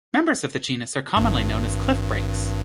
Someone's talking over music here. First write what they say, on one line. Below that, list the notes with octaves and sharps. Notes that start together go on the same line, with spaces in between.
Members of the genus are commonly known as cliffbrakes.
G#1 G2